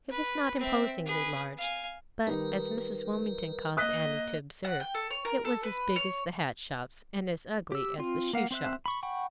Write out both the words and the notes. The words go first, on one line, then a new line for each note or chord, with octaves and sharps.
It was not imposingly large, but, as Mrs. Wilmington caused Annie to observe, it was as big as the hat shops and as ugly as the shoe shops.
B4
C4 E5
G#4 B4
F5 G#5
D#3 G3 D#4 A#4 B4
A#3 D#5 D#6 F#6 B6
F#5
G5
A4
C#5
A#4
A4
B4
C#5
G4 E6
C4 F4
A#3 F5 F#5
C4 C5 E5 F#6
B5 C#6
F#5 G5 B5 C#6